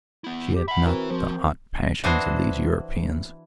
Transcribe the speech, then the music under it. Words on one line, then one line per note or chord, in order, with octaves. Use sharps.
She had not the hot passions of these Europeans.
B3 E4
G4
E5 F#5 B5
C4 E4 F#4 A#4 B4
F3 C4 C5
E3 D4 F#4 C5 D#5